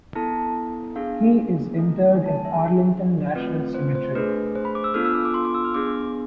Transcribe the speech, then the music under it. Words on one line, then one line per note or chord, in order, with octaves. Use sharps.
He is interred in Arlington National Cemetery.
B3 E4 A4 A5
B3 D4 G#4 F5
A3 C4 E4 A4
G#5
A5
G#5
E5
D4 G#4
A3 C4 F4 B4
C5
C5
A3 D4 G#4 B4
C5
B5
D6
E6
B3 D4 F4 A4 F6
E6
D6
D6
C6
D6
E6
F6
B3 D4 G#4 D6